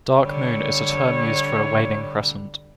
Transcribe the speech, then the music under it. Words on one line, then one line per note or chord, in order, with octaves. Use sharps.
Dark Moon is a term used for a waning crescent.
D3 G3 C#5